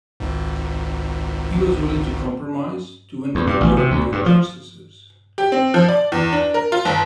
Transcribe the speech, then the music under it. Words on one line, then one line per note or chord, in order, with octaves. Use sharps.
He was willing to compromise to win a majority of Justices.
G#1 C#2 G#2
E2
G2
A1
C3
D2
G2
F3
G4
C4
F3
D5
E2
D4
A#4
F4
G1